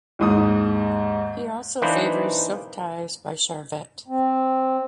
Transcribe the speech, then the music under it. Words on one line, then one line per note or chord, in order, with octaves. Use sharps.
He also favors silk ties by Charvet.
D#2 G#2 D#6
E3 A#3 D4 D#4 B4 C5
C4